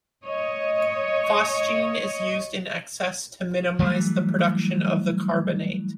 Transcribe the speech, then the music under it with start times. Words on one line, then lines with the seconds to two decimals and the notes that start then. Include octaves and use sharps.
Phosgene is used in excess to minimise the production of the carbonate.
0.23 C#5 D#5
3.79 E3 F#3 G3 A3